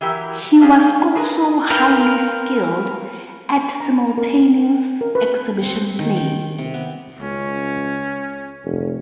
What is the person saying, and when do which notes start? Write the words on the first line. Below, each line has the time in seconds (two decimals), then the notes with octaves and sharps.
He was also highly skilled at simultaneous exhibition play.
0.01 E3 F#3 E4 G4 A#4
0.61 G3 C#4 F4 G4 G#4
1.15 D4 G#4 A#4 B4
1.70 A#4 B4 F5 G5
3.80 A#5
4.18 A#4
5.01 A#4
5.15 B4
5.62 C4
5.99 D#3
6.16 G5
6.58 C3
6.74 B3
7.20 C#2 C#4
8.65 F1